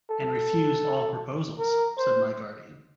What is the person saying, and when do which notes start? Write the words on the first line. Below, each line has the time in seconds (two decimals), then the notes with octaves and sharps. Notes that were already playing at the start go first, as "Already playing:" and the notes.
"And refused all proposals," said my guardian.
0.11 A4
1.59 A#4
1.97 C5